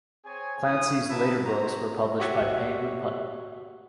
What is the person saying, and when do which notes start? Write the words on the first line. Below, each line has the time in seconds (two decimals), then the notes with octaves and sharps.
Clancy's later books were published by Penguin Putnam.
0.25 C4 G#4 C#5 G#5
0.63 E4 F5 F#5 C#6 D#6
1.09 B3 E4 A#4 B4 E5 A5
1.45 F#4 C5 C#5 A#5
2.20 F#4 G4 C#5 E5 F#5 C#6